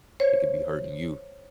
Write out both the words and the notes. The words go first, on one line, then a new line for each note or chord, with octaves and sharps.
it could be hurting you.
C5 C#5